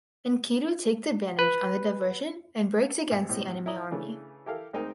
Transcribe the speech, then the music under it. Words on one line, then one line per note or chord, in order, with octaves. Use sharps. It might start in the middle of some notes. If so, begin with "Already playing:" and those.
Enkidu takes advantage on the diversion and breaks against the enemy army.
B4
G#1
D#2 A2 C4
E4 D5 A#5 D#6
C#3 E3 A3 D4
E4 G4 A4 A#4 F5
D2 G#3 C4 D#4 A#4 G5